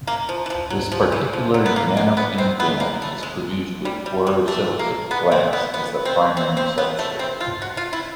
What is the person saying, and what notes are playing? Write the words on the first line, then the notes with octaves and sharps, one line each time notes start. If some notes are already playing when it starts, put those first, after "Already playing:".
This particular nanopin film is produced with borosilicate glass as the primary substrate.
A#3
F3
E3
F3
F#3
F3
E3
F3
F#3
B3
A#3
A#3
B3
C4
B3
A#3
A3
G#3
G3
G3
G3
A3
A#3
B3
C4
B3
B3
C4
C4
C4
B3
A3
C4
F4
F#4
F4
E4